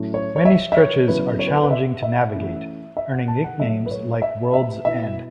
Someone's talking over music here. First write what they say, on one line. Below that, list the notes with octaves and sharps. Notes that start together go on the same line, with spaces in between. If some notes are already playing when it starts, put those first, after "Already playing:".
Many stretches are challenging to navigate, earning nicknames like World's End.
Already playing: A2 F#3 A3 C#4 E4
C#5
C#5
E5
E5
C#5
C#3 F#3 B3 E4 B4
C#5
B4
A4
B4
E5
E5
E3 A3 C#4 E4
E5
F#5
A5
F#5
A2 F#3 A3 E5
B4
C#5
E5
E5
B2 B3 E4 E5